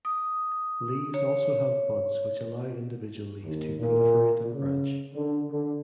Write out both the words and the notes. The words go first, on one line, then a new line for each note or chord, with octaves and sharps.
Leaves also have buds which allow individual leaves to proliferate and branch.
D#6
C#5
D#2
A#2
C#3
D3
D3